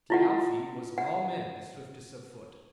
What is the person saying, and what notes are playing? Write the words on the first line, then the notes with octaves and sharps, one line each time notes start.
Thialfi was of all men the swiftest of foot.
E4 F4 F#5
F#5